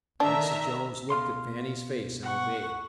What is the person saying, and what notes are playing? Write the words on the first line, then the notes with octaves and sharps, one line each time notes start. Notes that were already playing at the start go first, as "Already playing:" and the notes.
And Mrs. Jones looked at Fannie's face and obeyed.
D#3 D4 E5 A#5
B2 F5 C6
F#5 C#6